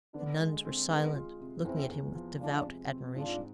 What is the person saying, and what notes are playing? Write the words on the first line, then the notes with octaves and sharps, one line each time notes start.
The nuns were silent, looking at him with devout admiration.
D3 B3 D4
G#3
C4
G#3 B3 D4
F4
C3
E2 C4 E4
E2
F3
G#3 D4 F4
C3
C4
G#2 D4 F4